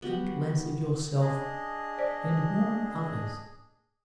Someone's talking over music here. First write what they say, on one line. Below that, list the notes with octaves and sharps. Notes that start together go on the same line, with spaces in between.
Think less of yourself and more of others.
B3 F#4 G4 F#5
D4 G#4 D#5
C5 D5